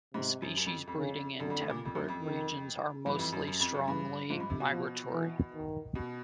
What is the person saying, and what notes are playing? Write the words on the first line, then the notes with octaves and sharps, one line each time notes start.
The species breeding in temperate regions are mostly strongly migratory.
G#2 C3
F#2
F#2
F2
F2
C#3
F#2 D3
F2
A2
A#2
F2
F#2
F2
D#3
G2 E3
F2
F#2
F#2
F2
F#2
G2 E3
G#2 F3
G2
C3
B2
B2 F3
E3
D#3
B2